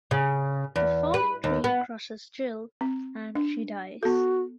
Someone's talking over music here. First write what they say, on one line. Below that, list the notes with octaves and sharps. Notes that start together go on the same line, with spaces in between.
The falling tree crushes Jill, and she dies.
C#3
E2
B4
D#2
B3
C4
D4
B3 F#4 A4